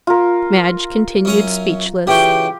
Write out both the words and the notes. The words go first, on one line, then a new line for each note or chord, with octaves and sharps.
Madge continued speechless.
F4 A#4
F#2 C#4 A#5
C#3 E3 F#4 G4 G5